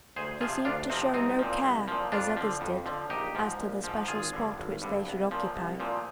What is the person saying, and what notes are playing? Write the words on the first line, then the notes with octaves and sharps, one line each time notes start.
He seemed to show no care, as others did, as to the special spot which they should occupy.
D2 G#4 C5
C3 F3 F4 G#4
D2 D4 F4
C3 F3 C4 D#4
C2 C4 D#4
A#2 F3
C2
A#2 F3
F2 D4 F4
D3 F3
F2
D3 F3
A#1 D#4 G4
G#2 F3
A#1
G#2 F3
G#1 F4 G#4
G2 D3
G#1
G2 D3
C2
A#2 F3
C2
A#2 F3